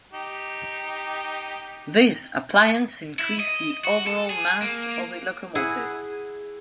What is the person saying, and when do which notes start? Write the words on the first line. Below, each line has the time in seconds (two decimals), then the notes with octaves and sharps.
This appliance increased the overall mass of the locomotive.
0.13 D#4 G4
3.19 E4
3.40 D#5
3.85 F#4
4.07 A4
4.30 G#4
4.62 A#3
5.55 E4 G#4 F#5